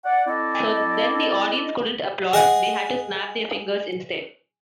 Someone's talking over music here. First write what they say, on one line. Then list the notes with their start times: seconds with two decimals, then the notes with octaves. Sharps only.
So then the audience couldn't applaud; they had to snap their fingers instead.
0.04 D5 F#5
0.27 C4 E4 A4 D5 D#5
2.33 G#4 D#5 F#5 G#5